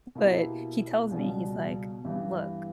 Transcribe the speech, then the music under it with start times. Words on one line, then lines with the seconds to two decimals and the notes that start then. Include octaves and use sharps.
but he tells me he's, like, "Look,
0.15 B2 A#3 E4 G4
1.10 C#2 B2 G3
2.05 G2 E3 B3 E4 G4